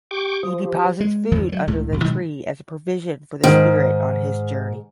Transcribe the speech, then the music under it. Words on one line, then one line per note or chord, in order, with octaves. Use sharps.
He deposits food under the tree as provision for the spirit on his journey.
G4 G5 C#6 D6
F3 D#6
G4
G#3
A1 F2 D#3 F3
F#3 G3
C#2 A2 C#3
B1 F#2 B2
B2 D#3 F#3 G#3
G#2 D#3